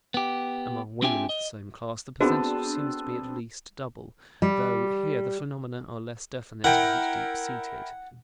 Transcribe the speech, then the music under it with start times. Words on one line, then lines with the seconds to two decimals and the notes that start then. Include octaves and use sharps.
Among women of the same class the percentage seems to be at least double, though here the phenomena are less definite and deep-seated.
0.14 B3 G4
1.02 C4 D4 F4 G4 E5 G#5
1.29 D#5
2.20 B3 C4 D4 F#4 G#4 A4 B4 C5
4.42 G3
6.64 E4 A#4 F#5 G5